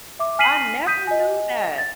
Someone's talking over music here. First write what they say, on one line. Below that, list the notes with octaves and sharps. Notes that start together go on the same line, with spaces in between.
I never knew that.
E5 D6
G#5 F6 B6 C7 D#7 F#7
D#6 G6 B6 D#7
D#5 G#5
A6